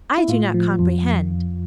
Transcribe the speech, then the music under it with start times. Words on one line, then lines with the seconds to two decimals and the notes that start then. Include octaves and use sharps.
'I do not complehend!'
0.18 E4
0.28 A2 F4
0.54 F3
0.79 F2